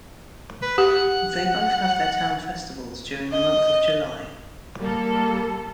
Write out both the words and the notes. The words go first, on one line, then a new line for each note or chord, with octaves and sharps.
They both have their town festivals during the month of July.
B4
G4 F#5
D#5
G3 A#3 A4